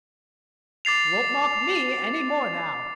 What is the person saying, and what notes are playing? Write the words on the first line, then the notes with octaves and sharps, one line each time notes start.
You won't mock me any more now!'
D6 A6 C7 F7